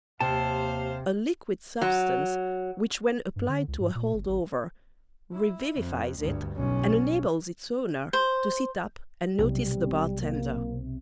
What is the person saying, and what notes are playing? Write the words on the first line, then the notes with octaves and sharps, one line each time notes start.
A liquid substance which when applied to a "holdover" revivifies it and enables its owner to sit up and notice the bar-tender.
D#2 C3 C5 F5 A5
F#3
G2
D3
C#2
G#2
A#2
G1
G#1
E4
F2
D2 G2
B1 C#4
C5
B1 C3 G3
A#3